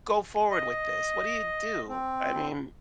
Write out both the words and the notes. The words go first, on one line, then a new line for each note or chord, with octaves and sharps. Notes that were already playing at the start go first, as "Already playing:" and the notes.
go forward with this? What do you do? I mean,
D#5
C4